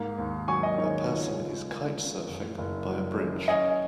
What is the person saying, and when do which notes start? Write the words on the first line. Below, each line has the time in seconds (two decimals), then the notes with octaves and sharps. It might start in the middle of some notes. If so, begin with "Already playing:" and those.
A person is kite surfing by a bridge.
Already playing: G#2 A#3
0.18 D#2
0.48 F#3 G#5 C#6
0.63 D#5 G#5
0.78 D#3 C#5
1.08 C#2 C#5
1.38 C#2
1.68 A#3
1.98 C#3
2.28 F#1
2.58 F#1
2.88 F#3
3.18 F#2
3.48 C#4 D#5 G#5